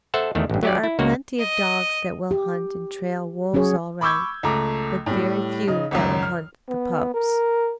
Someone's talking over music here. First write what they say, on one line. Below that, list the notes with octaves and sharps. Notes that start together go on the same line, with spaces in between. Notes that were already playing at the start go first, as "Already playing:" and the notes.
There are plenty of dogs that will hunt and trail wolves all right, but very few that will hunt the pups.
A4 C5 E5 F#5 A5
E2 D#3 A3
A1 G2
F#3 G4 D5
E4
C#2 A#3 F#4
D#5
G4
F#3 C#4 F#4 G#4 C#5
B5 C#6 D6 E6 G6 G#6
C#2 A3 A#5 D6
A2 G3
C#3 D#4
G#1 C#2 F#2
F6
B3
A#4